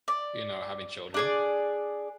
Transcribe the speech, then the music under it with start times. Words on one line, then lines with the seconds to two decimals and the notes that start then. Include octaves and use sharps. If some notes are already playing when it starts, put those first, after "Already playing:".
you know, having children.
0.08 D5
1.14 D4 G#4 D5